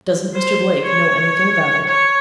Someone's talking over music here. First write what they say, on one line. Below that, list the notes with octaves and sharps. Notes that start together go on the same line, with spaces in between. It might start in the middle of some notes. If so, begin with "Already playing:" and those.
"Doesn't Mr. Blake know anything about it?"
C5
C#5
C#5